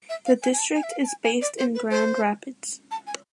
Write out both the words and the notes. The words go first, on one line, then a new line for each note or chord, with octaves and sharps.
The district is based in Grand Rapids.
E5
F5
G#5
G#5
A5
G#5
E5
F5
A5
G#5
G#5
D5
C5
B4
C5
A5
G#5